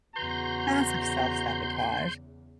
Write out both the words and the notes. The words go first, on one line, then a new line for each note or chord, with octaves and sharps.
massive self-sabotage.
E2 C#3 F#4 B4 A#5 C6 G6